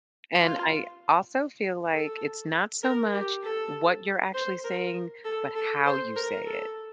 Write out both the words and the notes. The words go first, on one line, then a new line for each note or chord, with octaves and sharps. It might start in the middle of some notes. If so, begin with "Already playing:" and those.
And I also feel like it's not so much what you're actually saying, but how you say it.
F4
A4
A#4
G4
A4
C5
A#4
A4
A4
C5
A#4
A4